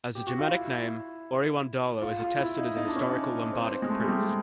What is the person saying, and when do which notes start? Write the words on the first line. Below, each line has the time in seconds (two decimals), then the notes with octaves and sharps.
As a Germanic name, Auriwandalo is attested as a historical Lombardic prince.
0.15 G4
0.27 F#4
0.39 F4
0.50 E4
2.01 F4
2.20 F4
2.38 E4
2.57 D#4
2.77 D#4
2.88 D4
2.96 C#4
3.52 C4
3.82 G#3
3.90 A3
4.04 G3
4.08 G#3